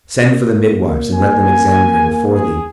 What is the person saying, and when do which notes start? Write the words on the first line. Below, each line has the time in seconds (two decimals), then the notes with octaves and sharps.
Send for the midwives and let them examine her before thee.
0.22 A#3
1.14 G#5
2.33 G#4